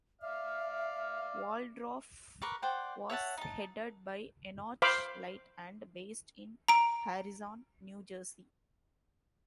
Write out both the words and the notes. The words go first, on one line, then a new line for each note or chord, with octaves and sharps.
Waldorf was headed by Enoch Light and based in Harrison, New Jersey.
D5 E5 F5 F6
A#4 B4 C#6 D6
C5 D5 F#5 G5
C#5 E5 F#5 A5
D#4 A5
C5 F5 B5 D6
A#5 D7